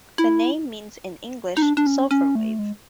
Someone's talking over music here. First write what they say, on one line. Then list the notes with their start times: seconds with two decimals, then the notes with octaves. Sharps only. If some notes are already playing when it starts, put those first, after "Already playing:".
The name means in English: "sulphur wave".
0.18 E4
1.57 D#4
1.62 D4
1.77 D4
1.87 C#4
2.11 C#4
2.35 A3
2.59 G#3